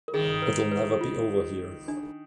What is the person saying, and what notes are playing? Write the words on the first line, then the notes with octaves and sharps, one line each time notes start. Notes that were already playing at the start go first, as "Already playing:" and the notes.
It'll never be over here.
A#4
D#3 G#4
B4
B4
F4
D4